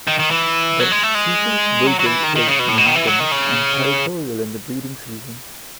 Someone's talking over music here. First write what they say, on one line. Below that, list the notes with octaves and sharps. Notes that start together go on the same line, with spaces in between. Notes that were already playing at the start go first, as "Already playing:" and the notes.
The Seychelles bulbul is monogamous and territorial in the breeding season.
D#3
D#3
E3
F#3
G#3
A3
G#3
F#3
F#3
E3
D#3
D#3
C#3
B2
A2
B2
D#3
E3
F#3
D#3
C#3